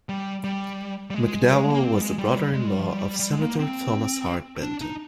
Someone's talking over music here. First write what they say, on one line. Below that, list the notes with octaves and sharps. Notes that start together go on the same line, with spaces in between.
McDowell was the brother-in-law of Senator Thomas Hart Benton.
G3
G3
G3
G#3
G3
G#3
A#3
C4
G3
G#3
G3
G#3
G3
G#3
G3
F3
G3
G3
G#3
A#3
C4
D4
D#4